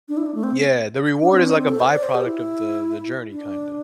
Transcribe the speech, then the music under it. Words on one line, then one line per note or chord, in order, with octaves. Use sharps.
Yeah, the reward is like a by-product of the the journey kinda.
D4
E4
D4
A3
C4
D4
C4
D4
C4
A4
C5
D5
C5
G4
E4
D4